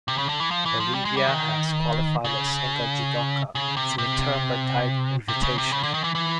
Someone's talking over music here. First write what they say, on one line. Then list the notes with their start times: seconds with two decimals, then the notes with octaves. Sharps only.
Bolivia has qualified a single judoka through a tripartite invitation.
0.08 C3
0.18 C#3
0.29 D3
0.40 E3
0.51 F3
0.66 E3
0.80 F3
0.94 G3
1.05 G#3
1.17 G3
1.27 D#3
2.25 C#3
3.55 C#3
3.77 C3
3.98 C3
5.28 C3
5.43 C#3
5.58 C3
5.72 C#3
5.83 D3
5.94 D#3
6.04 E3
6.15 E3